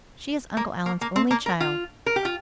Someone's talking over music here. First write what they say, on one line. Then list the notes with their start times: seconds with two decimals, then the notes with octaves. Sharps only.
She is Uncle Allan's only child.
0.57 A#3
0.86 A#3
1.01 A#3
1.16 C4
1.31 A#3
1.46 A#4
1.61 F4
2.06 A#4
2.16 G4
2.25 F4